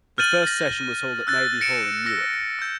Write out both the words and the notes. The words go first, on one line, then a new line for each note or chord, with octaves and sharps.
The first session was held at Navy Hall in Newark.
F6 G6 A6 D#7 F#7
A#6
E6 F#6 A6
A#6 C#7 D7 E7
E6 A#6
E6 G6